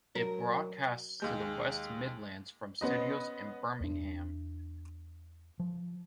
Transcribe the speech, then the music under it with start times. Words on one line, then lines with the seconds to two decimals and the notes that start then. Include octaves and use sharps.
It broadcasts to the West Midlands from studios in Birmingham.
0.15 F#3 A#4
1.20 D#2 G#3 G6
2.81 B3 C#4 B4 C5 D#5
3.80 E2 D4
5.59 F3